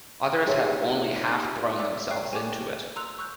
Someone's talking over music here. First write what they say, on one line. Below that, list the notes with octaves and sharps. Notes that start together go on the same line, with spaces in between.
Others have only half thrown themselves into it.
D#4 G4 G#4 C5 C#5 E5
A4 C#5 D5 E5 D6 E6
C#5 G5 C#6 F#6 C7
G5 G#5 C#6 D6
A#5 C6 E6 F#6 F7
C#6 E6 F#6 G6